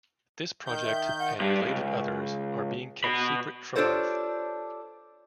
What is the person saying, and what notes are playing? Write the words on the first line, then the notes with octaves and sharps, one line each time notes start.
This project, and related others, are being kept secret from Earth.
D#3 G6
E5
F#5
G2 G3
C#2 G2
B2 B5
D4 F4 G4 A4 C5 C#5